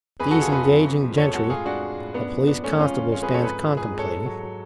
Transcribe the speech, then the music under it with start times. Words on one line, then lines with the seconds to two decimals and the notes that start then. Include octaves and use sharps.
These engaging gentry a Police-constable stands contemplating.
0.20 F2 G#4 B4
0.31 D3 F#4 A4
0.41 F4 G#4
0.52 F2 G#4 B4
0.69 F#3
0.85 F2
1.01 F3
1.18 F2 A4 C#5
1.34 G#3 F#4 A4
1.50 A2 F4 G#4
1.65 G#3 D4 F#4
1.82 G#3
1.98 A2
2.14 F#2 B3 D4
2.31 F3
2.47 F#2 B3 D4
2.64 G#3 A3 C#4
2.80 F2 C#4 F4
2.97 D3
3.12 G#3 C#4 F4
3.22 G#4 B4
3.28 F3
3.34 A4 C#5
3.44 G#2 G#4 B4
3.61 F3
3.77 G#2 G#4 B4
3.93 G#3
3.98 A4 C#5
4.10 G#2
4.26 F#3
4.42 F#3